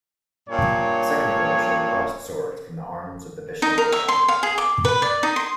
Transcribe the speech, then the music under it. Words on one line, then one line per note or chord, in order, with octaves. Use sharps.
The second quarter showed crossed swords, from the arms of the Bishop of London.
G2 A#2 C#5
D#4
A#4
E5
C6
F5
G#4
D6
B4
D5
D#4
C6